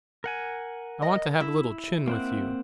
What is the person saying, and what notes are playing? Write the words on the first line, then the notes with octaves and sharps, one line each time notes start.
I want to have a little chin with you.
A#4 F#5 G#5
D#5
E4
A#3 C4 F#5